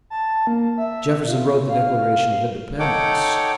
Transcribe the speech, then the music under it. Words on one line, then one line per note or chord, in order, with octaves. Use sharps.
Jefferson wrote the Declaration of Independence.
A5
A#3
E5
F4
F5
D#4 A4 C#5 F#5 G5 D6